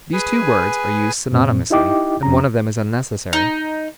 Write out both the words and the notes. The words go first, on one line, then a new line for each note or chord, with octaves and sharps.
These two words are used synonymously, and one of them is unnecessary.
G#4 B4 G#5
F#2 A#2 C4
D#4 E4 G4 D#5 G5 D6
F2 C#4 A#5
D#4